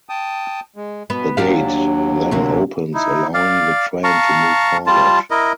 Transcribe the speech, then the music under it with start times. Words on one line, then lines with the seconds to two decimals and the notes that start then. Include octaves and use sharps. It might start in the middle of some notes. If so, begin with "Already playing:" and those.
The gate then opens, allowing the train to move forward.
0.09 G5 A5 D#6
0.76 G#3
1.10 B2 B3
1.37 D#2 F#3 D4 G4 F5
2.31 D2 C3 A#3
2.94 D#4 E4
3.34 D5 F5
4.04 F5 A5 A#5 C#6
4.87 G3 F4 A5
5.31 E4 A#4 D#5